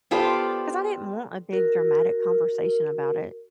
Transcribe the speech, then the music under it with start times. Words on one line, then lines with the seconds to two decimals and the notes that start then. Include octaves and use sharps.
'Cause I didn't want a big dramatic conversation about it.
0.11 B3 F4 G4 A4 C5 D5
1.52 F#4 A#4